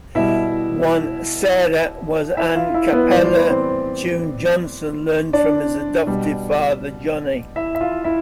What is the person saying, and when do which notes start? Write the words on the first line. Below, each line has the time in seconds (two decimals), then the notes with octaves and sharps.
One, "Sarah", was an a cappella tune Johnson learned from his adoptive father Johnny.
0.15 B2 G3 E4 E5
2.37 E4 E5
2.55 F4 F5
2.74 E4 E5
2.93 B3 B4
3.11 A2 E3 G3 D5
3.24 C5
3.37 B4
3.50 C4 C5
5.33 D4 D5
6.07 B2 G3
7.56 E4 E5
7.75 E5
7.81 F4 F5
8.04 E4 E5